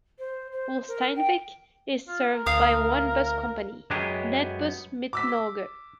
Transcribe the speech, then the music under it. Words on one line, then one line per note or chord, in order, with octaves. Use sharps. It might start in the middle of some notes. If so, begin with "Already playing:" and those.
Ulsteinvik is served by one bus company: Nettbuss Midt-Norge.
C5
C5
A#4
G5
F4
A#4
D2 F5 D#6
F#2 F#3 G#3 B3 G4 G#4
D6 E6 B6